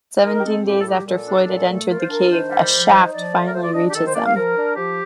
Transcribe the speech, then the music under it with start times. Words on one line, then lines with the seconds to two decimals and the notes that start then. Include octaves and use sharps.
Seventeen days after Floyd had entered the cave, a shaft finally reaches him.
0.23 D#4 A#4
0.39 G4
0.43 C4 A4
0.64 A2 G4
0.80 A4
0.85 G3 G4
1.06 A#2 A4
1.27 D4
1.47 A#2
1.68 A3
1.88 F4 A#4
1.99 C5
2.08 D4 A#4
2.29 D#3 C5
2.50 G3
2.71 F3
2.91 D#4
3.12 F3 D5
3.33 A3
3.47 A#4
3.53 F4 C5
3.63 D5
3.73 D4 D#5
3.89 G4
3.94 D#3 A4
4.05 C5
4.14 A#3 D5
4.25 F5
4.35 F3 A#4
4.57 D4
4.76 F3 G4